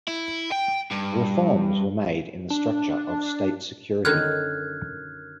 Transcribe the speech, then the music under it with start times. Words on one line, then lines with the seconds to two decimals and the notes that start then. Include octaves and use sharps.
Reforms were made in the structure of state security.
0.08 E4
0.52 G5
0.91 G2
2.50 D4
4.05 F#2 D3 D#3 F6 F#6 G#6